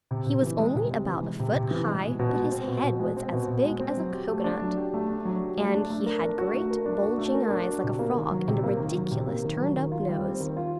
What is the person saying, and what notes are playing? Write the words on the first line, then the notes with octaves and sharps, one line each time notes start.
He was only about a foot high, but his head was as big as a cocoanut, and he had great, bulging eyes, like a frog, and a ridiculous turned-up nose.
C3
C3
E3
G#3
C3
C3
E3
G#3
C3
C3
E3
G#3
B2
B2
G#3
C4
B2
B2
G#3
C4
B2
B2
G#3
C4
F#3
G4
A3
D4
F#3
G4
A3
D4
F#3
G4
A3
D4
A3
A#4
D4
F#4
A3
A#4
D4
F#4
A3
A#4
D4
F#4
C3
A#3
D#3
F#3
C3
A#3
D#3
F#3
C3
A#3
D#3
F#3
D#3
F4
G3
C4
D#3
F4